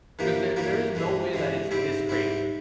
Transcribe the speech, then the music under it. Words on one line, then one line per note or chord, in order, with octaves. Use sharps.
'cause there there is no way that it's this crazy."
G2 E3 G3 A#3
G2 E3 G3 A#3
G2 E3 G#3
G2 E3 G#3
G#2 G3 C4 E4
G#2 G3 C4 E4